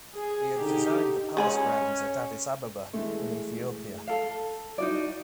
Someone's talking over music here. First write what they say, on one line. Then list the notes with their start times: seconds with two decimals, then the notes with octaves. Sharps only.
He had designed the palace grounds at Addis Ababa in Ethiopia.
0.15 G#4
0.56 D3 D#4 G4
1.37 G#3 C#4 G#5 B5
2.93 E3 G#3 A3
4.07 A4 F5
4.78 D#4 E4 F#4 D5